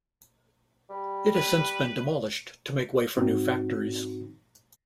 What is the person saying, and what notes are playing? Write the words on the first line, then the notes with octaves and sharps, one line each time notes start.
It has since been demolished to make way for new factories.
G3
B4
G#2 C4 D#4 F#4